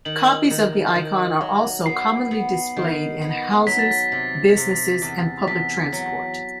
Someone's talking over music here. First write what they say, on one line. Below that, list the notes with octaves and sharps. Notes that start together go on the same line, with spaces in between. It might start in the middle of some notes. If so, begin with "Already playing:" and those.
Copies of the icon are also commonly displayed in houses, businesses, and public transport.
D#3 F#7
D#3
D#3
F#3
B3 C7
B3
D#3
B3
F#3 B6
A6
B6
C3
C3
E2
E2 B6
F#3